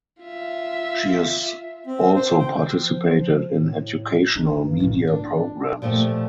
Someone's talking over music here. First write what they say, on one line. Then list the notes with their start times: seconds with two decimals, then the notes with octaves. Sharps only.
She has also participated in educational media programs.
0.22 F4 E5
1.86 C4
2.15 C5
2.40 G5
2.83 F3
3.51 A2
4.35 D4 D#4
4.61 G2
4.80 A2 D3
5.07 D4
5.82 A#2 F3 A3 G4 A#4